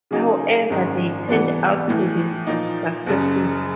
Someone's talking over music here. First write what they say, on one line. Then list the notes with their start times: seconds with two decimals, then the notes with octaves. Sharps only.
However they turned out to be successes.
0.11 C#3 F#3 A#3 D#4 G#4
0.70 G#1 F#2 D#3 G#3
1.28 C3 E3 G3 B3 D4
1.88 A2 E3 A3
2.47 A#2 F3 A#3 D#4
3.06 F#1 F#2 C#3